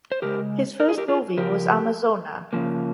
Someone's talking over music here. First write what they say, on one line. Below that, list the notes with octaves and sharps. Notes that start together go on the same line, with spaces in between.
His first movie was "Amazona".
C5
C#3 G#3 G4 A#4
A#4
G#4
G4 A#4
F4 G#4
C#3 F3 G4 A#4
C#3 F3 A#3